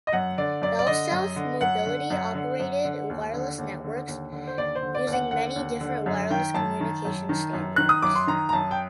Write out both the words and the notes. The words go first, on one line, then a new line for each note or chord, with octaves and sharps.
BellSouth Mobility operated wireless networks using many different wireless communication standards.
D#5
F#2 F#5
D3 D5
F#2 D5
D5
D3 D#5
F#2
D3
F#2 F#5
D3
F#2
D3
F#2
D3
D#2
D3
D#2
D3
D#2
D3
C5
D#2 D5
C5
D3
D5
D#2
F#5
D3 F#5
D#2
D3
F#2
D#3 G5
F#2 A5
D#3
F#2
D#3
F#2
D#3 F#6
D#6
F#2 D6
C6
D#3 A#5
A#5
F#2 A5
G5